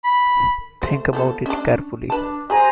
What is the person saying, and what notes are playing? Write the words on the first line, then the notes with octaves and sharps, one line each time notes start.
Think about it carefully.
B5
A3 C5
F3 B3 A4
C#4 D4
D4 B4 A5
G3 G#4 C5 G#5 A#5